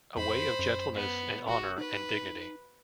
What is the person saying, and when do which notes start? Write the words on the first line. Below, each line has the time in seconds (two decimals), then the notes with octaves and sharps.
A way of gentleness and honor and dignity.
0.16 F2 C5 B5
0.59 F#2
0.94 B3
1.48 F1 F#4
1.78 D#4 B4